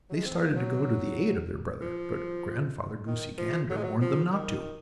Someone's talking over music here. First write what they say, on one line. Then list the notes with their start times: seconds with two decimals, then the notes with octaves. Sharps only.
They started to go to the aid of their brother, but Grandfather Goosey-Gander warned them not to.
0.09 F#3
0.14 G#3
0.25 C4
0.35 A#3
0.56 F#3
1.81 F3
3.07 D#3
3.38 F3
3.70 F#3
3.77 G#3
3.84 F#3
4.01 F3
4.33 D#3